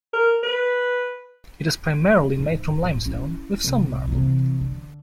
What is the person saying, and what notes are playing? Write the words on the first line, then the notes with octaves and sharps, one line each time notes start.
It is primarily made of limestone, with some marble.
A#4
B4
G#2
A2
C#4 E4
C2
C3 E3
D3